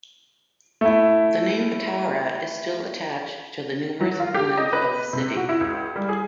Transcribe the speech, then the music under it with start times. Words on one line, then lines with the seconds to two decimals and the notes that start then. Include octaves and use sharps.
The name Patara is still attached to the numerous ruins of the city.
0.81 A3 E4
4.01 F#3
4.20 F4
4.34 G4
4.57 D#5
4.73 B4
5.13 C3
5.37 F#4
5.49 E4
5.61 C#2
5.96 G3
6.09 G#4